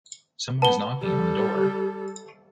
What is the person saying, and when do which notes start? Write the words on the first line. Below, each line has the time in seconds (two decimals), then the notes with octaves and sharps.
Someone is knocking on the door.
0.62 B3 A5 G7
1.02 G3 A4